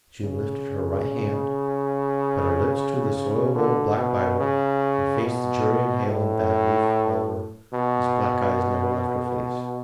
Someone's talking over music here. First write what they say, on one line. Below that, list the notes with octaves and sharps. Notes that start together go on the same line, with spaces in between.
June lifted her right hand, put her lips to the soiled, old, black Bible and faced the jury and Hale and Bad Rufe Tolliver whose black eyes never left her face.
C#3
D3
B2
C#3
B2
A2
B2